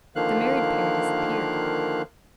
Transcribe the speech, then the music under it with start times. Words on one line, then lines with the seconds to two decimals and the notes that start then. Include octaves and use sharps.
The married pair disappeared.
0.16 D3 D#3 F3 A#3 F5 F#6